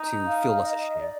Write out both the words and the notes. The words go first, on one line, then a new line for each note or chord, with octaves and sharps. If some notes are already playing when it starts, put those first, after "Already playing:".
to feel less ashamed?
Already playing: D#4
F5
D#5
D5